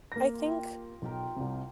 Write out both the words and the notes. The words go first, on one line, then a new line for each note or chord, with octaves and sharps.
I think,
A#3 A#6
F4 G4
B1 F4 G4 A#4
C2 C3